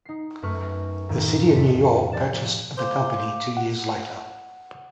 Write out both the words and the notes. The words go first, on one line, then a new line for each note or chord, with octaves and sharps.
The city of New York purchased the company two years later.
D#4 C7
F#2 A3 B4 C#6 F6
D#2 A2
F2 B6
F3 D5 A6 E7
C5 F5 D6
F#5